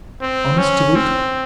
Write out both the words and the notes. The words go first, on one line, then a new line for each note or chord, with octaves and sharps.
Honest, to boot.
C4
C#4
C4